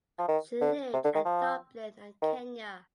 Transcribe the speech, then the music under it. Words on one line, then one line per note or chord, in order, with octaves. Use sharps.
She lived at Dublin and Kenya.
F3
D#3
D3
C3
D3
D#3
F3
D#3